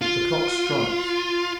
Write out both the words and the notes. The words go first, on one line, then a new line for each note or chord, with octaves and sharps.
The clock strikes!
F4